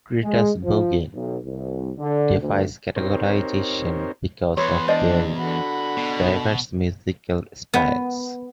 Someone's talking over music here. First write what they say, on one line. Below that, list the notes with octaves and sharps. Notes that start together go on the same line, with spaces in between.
Critters Buggin defies categorization because of their diverse musical styles.
G#3
F3
B1
C2
D3
D2
C4 D#4 G4 A#4 C5 C#5
E2 B4 C#5 C6
D4 C5 D5 D#5
D3 F#4 B5
B2
B3